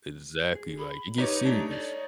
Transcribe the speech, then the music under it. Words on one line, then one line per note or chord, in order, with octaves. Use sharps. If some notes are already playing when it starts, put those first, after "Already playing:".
Exactly, like, it gets serious.
G#4
B5
D#4 G4 B4 C#5 D6
A3 D4 G4 A#5
A4 D5